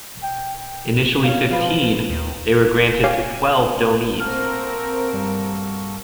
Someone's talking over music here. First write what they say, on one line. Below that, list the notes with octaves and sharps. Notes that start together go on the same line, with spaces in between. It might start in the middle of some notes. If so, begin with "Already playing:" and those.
Initially fifteen, they were granted to twelve donees.
G5
C#4 D4 F4
F3 F4 B4
D#2
G4 C#5 F5 G#5
A#3 C4 F#4 A4 A#4 F6
G2 G3